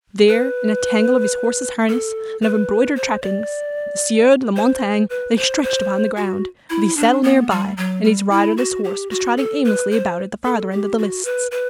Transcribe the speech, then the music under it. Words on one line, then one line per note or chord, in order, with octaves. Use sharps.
There, in a tangle of his horse's harness and of embroidered trappings, the Sieur de la Montaigne lay stretched upon the ground, with his saddle near by, and his riderless horse was trotting aimlessly about at the farther end of the lists.
B4
A4
B4
C5
D5
C5
B4
C5
C5
F#4
E4
D4
B3
G3
F#3
G3
E4
F#4
G4
F#4
A4
B4
C5
A4
G4
F#4
B4
B4